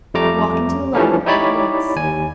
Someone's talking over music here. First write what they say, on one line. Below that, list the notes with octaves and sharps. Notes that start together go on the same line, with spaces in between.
"Walk into the library at once."
F2 G3 A3 A#5 D6
E3 F3 G3 A3 C#4 D4
D#4 E4 G4 C#5 D5 B5
D#2 G#5